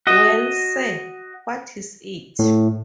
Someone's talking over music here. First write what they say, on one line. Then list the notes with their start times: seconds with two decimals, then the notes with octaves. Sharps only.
Well, sir, what is it?
0.07 F#4 D#5
2.39 A2